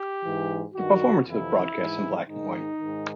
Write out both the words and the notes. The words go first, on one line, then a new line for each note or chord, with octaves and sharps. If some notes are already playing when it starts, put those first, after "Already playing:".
The performance was broadcast in black and white.
Already playing: G4
G#2 E3
G2 D#3 F#4
F2 C3 E3 E4
G#2 E3
G#2 D#3 D#4
G#2 D#3